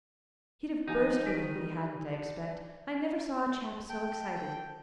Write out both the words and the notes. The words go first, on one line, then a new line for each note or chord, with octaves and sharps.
He'd have burst with it, if he hadn't, I expect; I never saw a chap so excited.
F3 D#4 G4 G#5
D#3 B6 D7
G3
D4
A4 G5